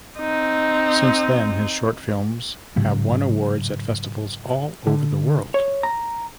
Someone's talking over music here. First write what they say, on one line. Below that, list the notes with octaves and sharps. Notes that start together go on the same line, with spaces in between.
Since then his short films have won awards at festivals all over the world.
C4 D#4
G#2 C#3 F#3
D3
C#5
A#5